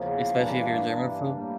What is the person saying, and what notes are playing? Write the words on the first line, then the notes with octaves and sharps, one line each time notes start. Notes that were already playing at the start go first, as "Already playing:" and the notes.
Especially if you're a germaphobe.
Already playing: E2 C#3 F3 A#3
G2 E3 A#3 D4
G2 E3 A#3 D4
A2 G3 A#3